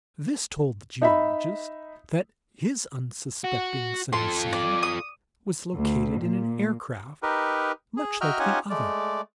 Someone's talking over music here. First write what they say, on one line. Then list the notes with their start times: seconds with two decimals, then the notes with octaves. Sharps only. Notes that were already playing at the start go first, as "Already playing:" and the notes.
This told the geologist that his unsuspecting Sanusian was located in an aircraft much like the other.
1.01 D#4 E5 B5
3.44 F#4
4.13 F4 A4 C6
4.53 D5
4.83 D#6
5.75 D2
6.21 A#2
7.22 D#4 G4 A#4 B4
7.97 G#4
8.21 F#4 D#5 E5 G5 A#5 F6
8.39 C#4 D#4 F4 G4 F#5 G#5
8.70 G#3 A3 D5